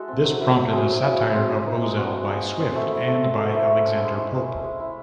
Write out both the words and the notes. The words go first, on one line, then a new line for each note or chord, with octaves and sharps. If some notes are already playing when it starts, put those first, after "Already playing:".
This prompted a satire of Ozell by Swift and by Alexander Pope.
Already playing: G#3 E4 F#4 A4
C4
F#3
E4
F#3
C4 G#4
F#3
E4
F#3
C4
G#3
D#4
G#3
C4 F#4
G#3
D#4 G#4
G#3
C4 C5
A3
E4
A3
C4
A3
E4
A3
C#4 C5
G#3
E4
G#3
C#4
G#3
E4